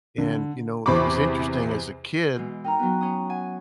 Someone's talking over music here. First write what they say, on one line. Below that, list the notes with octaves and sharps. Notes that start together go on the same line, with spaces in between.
and, you know, it was interesting as a kid,
D3
E2 C3 C4 B5 C#6 D6
B2 E3 G#3
D#4 A#4 G5 A#5 F6
F#3 B3
C#4 D#6
F#5 G#5